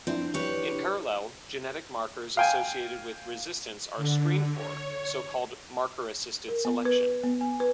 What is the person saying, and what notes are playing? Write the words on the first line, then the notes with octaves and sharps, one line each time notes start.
In parallel, genetic markers associated with resistance are screened for, so called marker-assisted selection.
F3 C4 D4 E4
G4 B4 C#5
F5 G5 G#5
D3
C#5
A#4
B3
B4
B3
G#5
B4